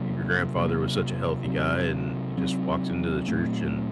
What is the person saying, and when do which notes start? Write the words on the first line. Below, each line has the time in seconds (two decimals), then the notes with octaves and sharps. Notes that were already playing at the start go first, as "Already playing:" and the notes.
your grandfather was such a healthy guy and he just walks into the church and
Already playing: C3 F#3 A#3
0.56 C3 F#3 A#3
1.46 C3 F#3 C4
2.37 C3 F#3 C4
3.28 A#2 F#3 A3 C4